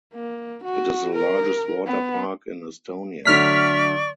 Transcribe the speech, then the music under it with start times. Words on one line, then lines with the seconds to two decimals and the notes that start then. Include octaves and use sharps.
It is the largest water park in Estonia.
0.14 A#3
0.64 F#4
1.15 A#4
1.86 B3
3.25 D3 F#3 A3 D5 C#6 F6 B6